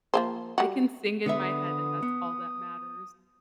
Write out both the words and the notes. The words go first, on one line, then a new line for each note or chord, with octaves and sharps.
I can sing in my head and that's all that matters.
F3 A#3 C5
G3 F#4
D3 B3 E5 D#6
B3